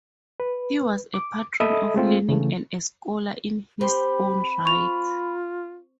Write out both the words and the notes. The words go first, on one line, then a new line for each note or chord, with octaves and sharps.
He was a patron of learning and a scholar in his own right.
B4
D6
A4 D#5 E5 B5 D#6
G#3 A3 C4 F4
C#3 E3 A3
C4 G4 B5
F4 C#6 F7